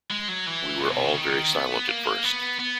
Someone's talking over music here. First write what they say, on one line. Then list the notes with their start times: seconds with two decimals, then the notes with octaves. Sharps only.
We were all very silent at first.
0.10 G#3
0.28 F#3
0.46 E3
0.79 A#2
0.92 B2
1.05 C#3
1.18 D#3
1.53 B3
1.88 A#3
2.23 B3
2.60 B3